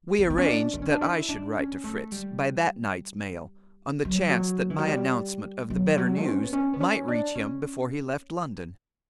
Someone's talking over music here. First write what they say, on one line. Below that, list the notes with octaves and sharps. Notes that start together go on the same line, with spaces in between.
We arranged that I should write to Fritz by that night's mail, on the chance that my announcement of the better news might reach him before he left London.
B3
B3
C#4
D4
D4
C#4
D4
E4
D4
C#4
A3
G3
F#3
E3
F#3
E3
F#3
G3
F#3
E3
F#3
C#4
B3
C#4
B3
C#4
D4
C#4